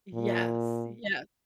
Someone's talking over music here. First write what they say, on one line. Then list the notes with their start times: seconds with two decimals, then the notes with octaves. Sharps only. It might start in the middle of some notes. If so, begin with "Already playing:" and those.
Yes, yeah.
0.14 A#2